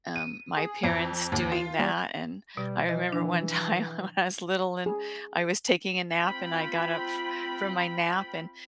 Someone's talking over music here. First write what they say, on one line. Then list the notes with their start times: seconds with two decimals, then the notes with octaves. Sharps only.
um, my parents doing that, and I remember one time when I was little, and I was taking a nap and I got up f from my nap, and,
0.16 D#7
0.57 G#4
0.84 F2
1.32 D#2
1.52 F4
1.79 G3
2.57 B2 G3
2.89 E3 D#5
3.09 E3 F3 D4
4.86 G#4
6.17 C4 F4 G5 B5